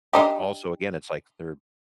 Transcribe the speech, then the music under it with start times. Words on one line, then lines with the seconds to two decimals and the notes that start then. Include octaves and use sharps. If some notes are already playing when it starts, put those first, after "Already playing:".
but also, again, it's like there,
0.13 D4 D#4 G4